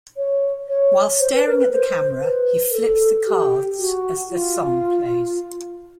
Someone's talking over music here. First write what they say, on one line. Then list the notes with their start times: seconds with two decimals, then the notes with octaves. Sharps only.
While staring at the camera, he flips the cards as the song plays.
0.17 C#5
0.68 C#5
1.20 C5
1.33 B4
1.46 A#4
1.59 B4
1.72 C5
2.23 B4
2.71 A#4
2.75 A4
3.27 G4
3.79 F#4
4.30 F4